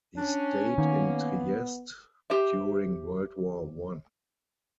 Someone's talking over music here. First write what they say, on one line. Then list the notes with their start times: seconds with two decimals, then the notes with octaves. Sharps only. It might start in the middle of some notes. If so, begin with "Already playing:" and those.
He stayed in Trieste during World War One.
0.17 C#4 D4
0.78 D#3 A#3 B3
2.30 G4 C5 E5